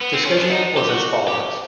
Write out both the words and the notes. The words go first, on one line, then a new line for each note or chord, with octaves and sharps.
The schedule was as follows.
B3
C4
C#4
D4
D#4
G4
F#4
G4